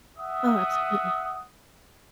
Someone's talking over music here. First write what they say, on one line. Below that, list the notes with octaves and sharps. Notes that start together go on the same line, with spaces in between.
Oh, absolutely.
E5 F#5 D#6